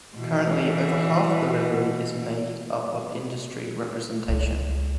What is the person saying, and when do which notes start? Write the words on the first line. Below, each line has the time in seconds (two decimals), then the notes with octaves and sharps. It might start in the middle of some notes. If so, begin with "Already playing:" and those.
Currently, over half the Livery is made up of industry representation.
0.17 B2 E3
4.28 C#2